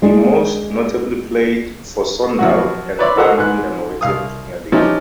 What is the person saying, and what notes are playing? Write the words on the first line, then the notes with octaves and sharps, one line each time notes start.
He most notably played for Sogndal and Brann in the Norwegian Premier League.
G#3 D4 G#4
F3 F#3 F#4
B4 C#5 D5 E5 B5 C6
F4 F#4 A4 A#4 C5 F#5
G#2 B4 F#6
C2 F5 D#6
E3 F3 C#4 D#4 G4